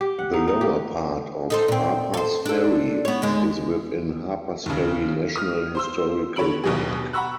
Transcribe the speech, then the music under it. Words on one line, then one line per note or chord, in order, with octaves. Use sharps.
The lower part of Harpers Ferry is within Harpers Ferry National Historical Park.
G4
F#5
D#4
D#4
G4
D#4 A4 C5
A#2 C4
A4 C5
D4 A4
B3 C#5
D#2 D3 G#3
D#2 C#3
D#6 F6
C5 C6 E6
D3 C#5 B5 D7 F#7
G1 D#2 B2 F#3 G#4
F#5 A#5 B5 C#6 E6 F#6